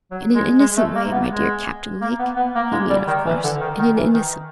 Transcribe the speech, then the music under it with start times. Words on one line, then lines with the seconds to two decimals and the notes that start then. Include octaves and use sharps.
'In an innocent way, my dear Captain Lake, you mean, of course--in an innocent way.'
0.11 F#3
0.35 G#3
0.59 G#3
0.77 A3
0.95 A#3
1.12 B3
1.31 G#3
2.01 A#3
2.19 B3
2.36 B3
2.55 A#3
2.72 G#3
2.90 G3
3.08 D#3
3.26 E3
3.44 D3
3.61 D#3
3.79 D#3
3.96 E3
4.14 D#3